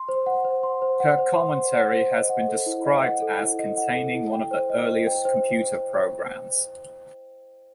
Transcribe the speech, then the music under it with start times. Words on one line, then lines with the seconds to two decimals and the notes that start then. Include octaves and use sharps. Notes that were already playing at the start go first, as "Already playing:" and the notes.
Her commentary has been described as containing "one of the earliest computer programmes".
Already playing: C6
0.09 C5
0.26 F#5
0.45 C5
0.63 C6
0.82 C5
1.00 F#5
1.18 C5
1.37 C6
1.56 C5
1.74 F#5
1.92 C5
2.11 D#5
2.30 F#5
2.48 A4
2.66 E4
2.85 D#5
3.04 F#5
3.22 A4
3.41 E4
3.59 D#5
3.77 F#5
3.96 A4
4.14 E4
4.33 G5
4.51 C5
4.70 D#5
4.88 C5
5.07 G5
5.25 C5